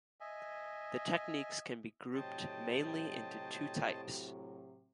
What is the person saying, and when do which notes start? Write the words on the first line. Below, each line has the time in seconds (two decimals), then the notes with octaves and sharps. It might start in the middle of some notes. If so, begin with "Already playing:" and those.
The techniques can be grouped mainly into two types.
0.21 D#5 E5 G#5
2.14 A2 C3 F#3 C5 C#5 D#5 G5 A5